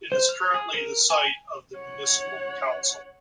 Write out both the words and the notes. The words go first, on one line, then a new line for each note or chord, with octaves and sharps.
It is currently the site of the municipal council.
C5
F6
G#4
A#4
G#5
C#5 F#5